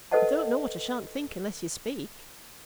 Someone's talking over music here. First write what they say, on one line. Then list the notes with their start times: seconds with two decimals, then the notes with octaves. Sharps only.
I don't know what I shan't think unless you speak.
0.11 A4 B4 C5 D#5 F#5 A5